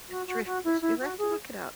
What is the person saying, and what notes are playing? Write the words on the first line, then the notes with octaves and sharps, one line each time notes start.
The Driftless, you'll have to look it up.
F#4
F#4
F#4
E4
E4
F#4
G#4